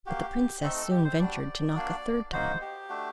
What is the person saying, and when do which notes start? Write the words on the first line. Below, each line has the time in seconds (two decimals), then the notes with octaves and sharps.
But the princess soon ventured to knock a third time.
0.06 A#3 F#4 G4
0.62 A3 C4 D#4 A4
0.77 A4
0.90 G4
1.04 C5
1.19 G3 D4 F#4 D5
1.76 A#3 D4 F#4
2.33 A#3 D#4 F#4 C5
2.61 G4
2.89 A3 D4 F#4